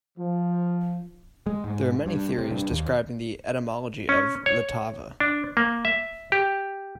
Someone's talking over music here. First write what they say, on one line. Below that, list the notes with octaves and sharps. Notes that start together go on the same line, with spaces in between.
There are many theories describing etymology of "Ltava".
F3
G#3
G#2
G2
C3
G2
D#2
C#4
C#5
D4
A#3
E5
G4